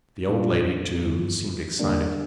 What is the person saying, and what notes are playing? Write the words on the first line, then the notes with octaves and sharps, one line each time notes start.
The old lady, too, seemed excited.
A#2 G3 D4 F4
G2 D3 F3
E2 D3 G3 A#3 D4